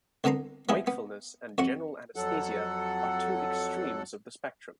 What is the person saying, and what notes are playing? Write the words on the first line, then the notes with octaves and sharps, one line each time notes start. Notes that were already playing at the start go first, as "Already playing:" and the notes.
Wakefulness and general anesthesia are two extremes of the spectrum.
C2 D3 B3 A#5 C6
F3 G#3 B3 E4 G#4
B3
F2 F#4 F#5
F2 F#3 A4 F#5